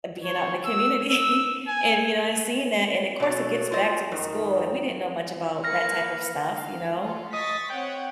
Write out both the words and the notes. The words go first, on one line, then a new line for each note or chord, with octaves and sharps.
being out in the community and, you know, and seeing that, and of course it gets back to the school and we didn't know much about that type of stuff, you know,
C#5
E6
E6
G#5
B2 F#3 A3
F4 C5 D#5
F#2 D#3
A#3 B4 F6 A#6 C#7
F5
F4 A4
D#5 C#6 A6 B6
C4 C#5 F#5 G5